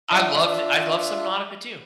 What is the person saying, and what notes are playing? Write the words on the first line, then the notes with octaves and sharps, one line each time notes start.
I loved I loved some Nautica too.
D4 F4 E5